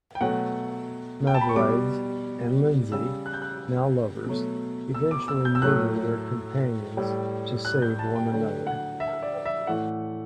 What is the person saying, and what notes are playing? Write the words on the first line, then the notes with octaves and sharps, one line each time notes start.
Mavrides and Lindsay, now lovers, eventually murder their companions to save one another.
G5
B2 F#3 A3 F#5
G5
A5
B5
C#6
B2 G3 D6
C#3 G3 E6
F#6
G6
F#6
B2 F#3 A3
E6
D6
E6
G6
E6
A2 F#3 A3 F#6
A2 G3
F#6
G6
A5
G5
D3 F#3 A3 G5
F#5
E5
D5
E5
A2 E3 A3 F#5